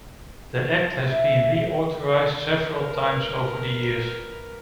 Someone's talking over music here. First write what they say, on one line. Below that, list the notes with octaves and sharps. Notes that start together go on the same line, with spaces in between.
The act has been reauthorized several times over the years.
E5
A#4 B4